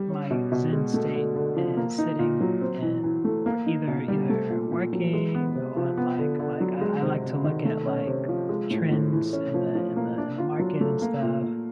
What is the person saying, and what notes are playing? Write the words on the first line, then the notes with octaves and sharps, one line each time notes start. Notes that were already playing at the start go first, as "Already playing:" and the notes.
my Zen state is sitting, and p either either working on, like like, uh, I like to look at, like, trends in the in the in the market and stuff,
Already playing: G3
C#4
B2
B2
G#3
A3
D3
D3
F3
A#3
D#4
A#2
F#3
C4
E3
E3
A3
A#3
D#4
B2
G3
A3
A#2
A#2
F#3
G#3
B3
C3
F3
B3
D3
D3
F#3
G#3
C3
C3
D#3
A3
C#4
C3
F3
G#3
A2
A2
E3
C#4
F3
F3
A#3
D4
F4
F#3
A3
A#3
A#2
A#2